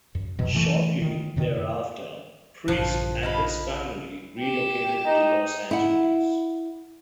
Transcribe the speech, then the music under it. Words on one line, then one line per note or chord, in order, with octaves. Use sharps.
Shortly thereafter, Priest and his family relocated to Los Angeles.
F#2
D1 B2 F#3
C3 E3 A3
D#3
F#2 C3 D#3
A#1 G2 A#2 D3 F3 A5 F#6
D#5 F5 B5
G4 E7
D#4
E4 F#5